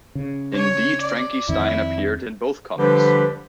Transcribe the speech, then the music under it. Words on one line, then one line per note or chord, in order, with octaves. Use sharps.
Indeed Frankie Stein appeared in both comics.
C#3
C#5
D5
F2 D#3 C4 E4
D3 F3 G3 D4 G4 B4